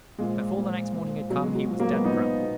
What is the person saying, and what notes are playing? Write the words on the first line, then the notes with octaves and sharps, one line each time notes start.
Before the next morning had come he was dead drunk!
A#2 F3 G#3
A#2 F3
A#2 F3
B2 F#3
G#3
F#3
A#2 F3
F#3 A#3
G#3 B3
A#2 F3 B3 D#4
B2